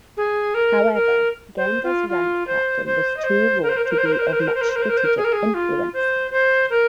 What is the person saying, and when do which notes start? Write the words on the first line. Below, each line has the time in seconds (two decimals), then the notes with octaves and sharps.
However, Genda's rank-captain-was too low to be of much strategic influence.
0.17 G#4
0.54 A#4
0.93 A#4
1.57 C5
1.84 F4
2.09 F4
2.47 C5
2.86 C5
3.17 D#5
3.24 C5
3.63 A#4
3.69 C5
3.76 A#4
3.84 C5
3.91 A#4
3.98 C5
4.05 A#4
4.12 C5
4.19 A#4
4.26 C5
4.33 A#4
4.40 C5
4.47 A#4
4.55 C5
4.61 A#4
4.69 C5
4.76 A#4
4.82 C5
4.89 A#4
4.97 C5
5.04 A#4
5.17 G#4
5.24 A#4
5.33 G#4
5.54 F4
5.94 C5
6.32 C5
6.70 A#4